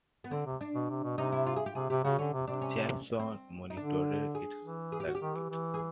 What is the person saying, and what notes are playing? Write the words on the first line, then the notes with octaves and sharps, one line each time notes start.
Jeppson monitored its circuits.
B3
D3 C4
C3
D4
B2
C3
B2
C3 D#4
E4
F4
G#4
G4
C3 G#4
C3 G4
C#3 F#4
D3 C#4
C3
C3 D4
C#4
C4
D#4
D3 D4
G#4
E3
G#4
G4
F#4
G4
D#3
E3
E3
G#4